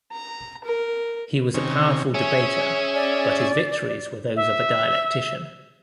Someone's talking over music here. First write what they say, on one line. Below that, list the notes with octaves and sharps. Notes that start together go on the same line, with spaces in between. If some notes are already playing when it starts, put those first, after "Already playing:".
He was a powerful debater, but his victories were those of a dialectician.
A#5
A#4
C3 D#3 C#4
C#4 G#4 E5
D5
E5